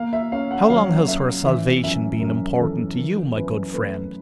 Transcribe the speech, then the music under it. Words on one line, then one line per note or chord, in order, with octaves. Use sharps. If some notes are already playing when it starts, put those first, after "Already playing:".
'How long has her salvation been important to you, my good friend?'
Already playing: A#3 F5
E5
C#4 F5
F#5
F#3 F5
C#4 E5
E3 E5
F#2 E5
F#2 A#4
E3 A4
E3 A#4
F#2 B4
A3 B4